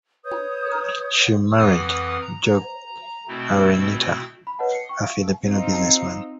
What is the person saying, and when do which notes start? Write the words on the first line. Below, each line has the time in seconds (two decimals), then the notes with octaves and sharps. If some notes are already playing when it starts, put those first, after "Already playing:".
She married Jorge Araneta, a Filipino businessman.
0.24 B4 C#5 D#6 G6
1.59 F2 E3 B4 F#5 D#6 F6
2.22 A#5
3.28 B2 A3 C4 E4
4.47 B5
4.59 B4 C#5 D#5 F#5 A5
4.72 C7 C#7
4.89 G5 C#6
5.02 E5 F5 D7
5.45 C4 D#4 F4